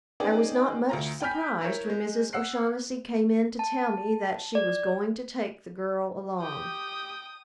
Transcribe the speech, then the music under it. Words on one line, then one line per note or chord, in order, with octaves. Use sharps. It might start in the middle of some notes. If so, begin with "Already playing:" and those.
I was not much surprised when Mrs. O'Shaughnessy came in to tell me that she was going to take the girl along.
B3 C#4 D#4 G#4 D5 G5
D2 F4 A#5
G5 G#5 B5 F6 G6 B6
E4 A#4 C#5
G#3
F#5 E6 F#6 C7
A5
D5
G4 G5 D#6